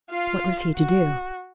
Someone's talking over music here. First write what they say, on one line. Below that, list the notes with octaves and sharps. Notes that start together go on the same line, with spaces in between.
What was he to do?
F4 F5
F#4